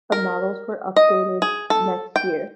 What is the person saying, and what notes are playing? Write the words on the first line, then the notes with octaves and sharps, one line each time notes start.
The models were updated next year.
A#4
D#5
G#4
A4
G5